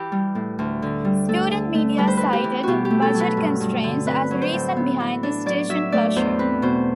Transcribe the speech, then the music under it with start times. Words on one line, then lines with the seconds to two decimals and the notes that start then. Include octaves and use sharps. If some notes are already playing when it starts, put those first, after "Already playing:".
Student Media cited budget constraints as the reason behind the station closure.
Already playing: E3 G4
0.12 G3
0.35 A2
0.59 D2
0.82 D3
1.05 G3
1.28 A3 A4
1.51 D3
1.75 A3
1.98 G3 B4
2.07 C5
2.17 E3 B4
2.33 G4
2.44 E3
2.63 B2 F#4 G4
2.85 G4
2.90 A3
3.02 A4
3.14 F#3
3.20 B4
3.37 G2
3.60 G2
3.84 D3
4.06 C4 B4
4.31 F#3
4.42 C5
4.53 A2
4.76 B3
5.00 E3
5.23 D4
5.46 F#3 D5
5.69 F#3 E5
5.92 A3 D5
6.16 E2 C5
6.39 C4 B4
6.62 B2 C5